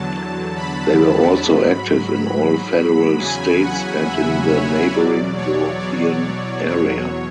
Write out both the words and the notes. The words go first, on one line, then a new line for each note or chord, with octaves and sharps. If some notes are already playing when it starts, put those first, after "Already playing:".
They were also active in all federal states and in the neighboring European area.
Already playing: E2 D3 F#3 A5
B5
G#2 F#3
E2 C#3 F#3 G#5
F#5
E5
C#5
E2 B2 F#3 D5
C#5
D5
E2 B2 F#3 C#5